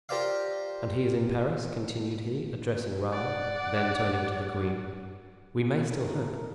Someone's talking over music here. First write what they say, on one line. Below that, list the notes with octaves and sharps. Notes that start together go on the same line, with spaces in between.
And he is in Paris?" continued he, addressing Raoul; then turning to the queen: "We may still hope.
F4 G4 A#4 C5 D5 F5
D5 F#5
E3 A3 E4 A4 A#4